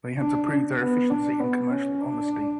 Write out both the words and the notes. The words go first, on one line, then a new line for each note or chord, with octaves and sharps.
They had to prove their efficiency and commercial honesty.
D4
B3
D4
B3
C#4
D4